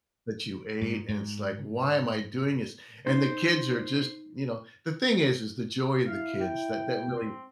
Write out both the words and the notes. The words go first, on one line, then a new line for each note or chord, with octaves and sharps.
that you ate, and it's like, "Why am I doing this?" And the kids are just you know? The thing is is the joy and the kids that that really
G#2
G#2
D#4 C5
E4 F5
G5
C4